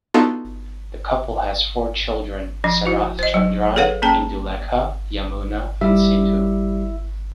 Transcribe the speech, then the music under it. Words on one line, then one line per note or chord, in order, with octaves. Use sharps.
The couple has four children: Sarath Chandran, Indulekha, Yamuna and Sindhu.
B3 D4 D#4 F4 F#4 A4
F3 D4
E4 F#4
C5 D#5
F#3
G#4 A4 B4 C#5 F5 F#5
A#3 C#4 G#4 G5 A5
G3 E4 E5